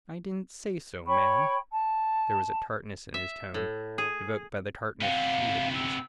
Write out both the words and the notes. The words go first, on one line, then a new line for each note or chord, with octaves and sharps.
"I didn't say so, ma'am." There was a tartness in his tone evoked by the tartness she had used.
C#5 G5 B5 C#6
A5
E5
A2
G#4
C3 B3 F5
E6